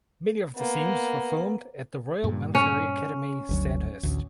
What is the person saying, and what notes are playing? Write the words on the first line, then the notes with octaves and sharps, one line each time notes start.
Many of the scenes were filmed at the Royal Military Academy Sandhurst.
A#3 B3
G2 A#2
C#4
G1 D2 F#3
A1 D2